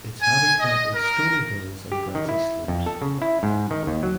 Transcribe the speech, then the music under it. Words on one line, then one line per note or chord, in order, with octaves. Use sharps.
Its habitat is stony hills and grassy slopes.
G#5
D#5
A#4
G4
D#3
E4
F2
A4
C#3
E4
G#2
D#3
D#2
F#3